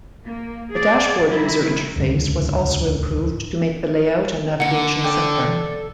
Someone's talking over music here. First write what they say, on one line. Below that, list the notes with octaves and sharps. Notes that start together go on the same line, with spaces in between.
The dashboard user interface was also improved to make the layout and navigation simpler.
A#3
G#4 D5
D#3 G3 E4
D#1 C#2 G#2 D3
D3 A#3 F#5 C#7
A4 D5 G5